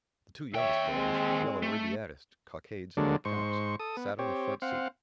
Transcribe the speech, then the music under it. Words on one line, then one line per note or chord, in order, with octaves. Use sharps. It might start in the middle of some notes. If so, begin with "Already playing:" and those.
The two youngest boys, with yellow Ribierist cockades in their caps, sat on the front seat.
D#2 C#5 E5 G5
G#3 C4
A3
D2 D3 F#3 G#3 A#3 D4
G#2 C5 C#6
A4 D#6
B3
C4 G4 C#5
C4 F5 F#5